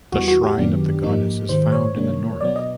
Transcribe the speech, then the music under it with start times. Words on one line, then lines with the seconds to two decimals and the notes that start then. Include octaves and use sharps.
The shrine of the Goddess is found in the north.
0.12 E2 C#3 E3 G3 B3 F#4
0.28 F#4
0.43 G4
0.58 F#2 D#3 F#3 B3 D4
1.04 G#2 F3 A#3 D#4
1.49 G#2 D#3 G#3 C5
1.72 C#5
1.95 C3 D#3 G3 A#3 D4
2.40 B2 F#3 B3 D5
2.56 D#5